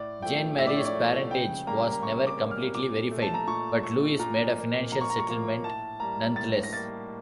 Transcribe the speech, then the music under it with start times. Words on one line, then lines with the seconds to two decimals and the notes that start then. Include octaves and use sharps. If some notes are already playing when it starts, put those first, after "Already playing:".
Jeanne Marie's parentage was never completely verified, but Louis made a financial settlement nonetheless.
Already playing: A2 D5
0.22 F3 A3 G5
0.58 A2 E5
0.67 D5
0.76 C#5
0.85 D5
0.94 F3 A3
1.31 C#3 G5
1.67 G3 A#3 A#5
1.92 A#5
2.03 C#3 C#6
2.27 D6
2.39 G3 A#3
2.51 F6
2.75 A#2 D6
3.11 A3
3.22 A5
3.34 A#5
3.47 A#2 C#6
3.83 A3 C#6
4.19 A#2 A#5
4.56 F3 A#3
4.92 A#2 A#5
5.01 C#6
5.10 A#5
5.19 C#6
5.28 F3 A#3 A#5
5.64 A2 A5
6.00 G3 A#3 A#5
6.36 A2 A6
6.64 A#6
6.72 G3 A#3 A6